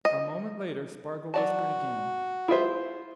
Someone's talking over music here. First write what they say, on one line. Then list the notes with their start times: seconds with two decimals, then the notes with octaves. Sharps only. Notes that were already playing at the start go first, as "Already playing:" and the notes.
A moment later Spargo whispered again.
0.05 D#5
1.34 F#3 F#4 D5 A5
2.48 E4 F4 G#4 C5 E5